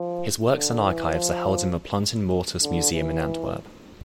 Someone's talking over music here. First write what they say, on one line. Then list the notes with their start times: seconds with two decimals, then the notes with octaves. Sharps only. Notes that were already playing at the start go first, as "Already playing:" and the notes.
His works and archives are held in the Plantin-Moretus Museum in Antwerp.
Already playing: F3
0.53 D3
0.83 E3
1.12 F3
2.62 D3
2.92 E3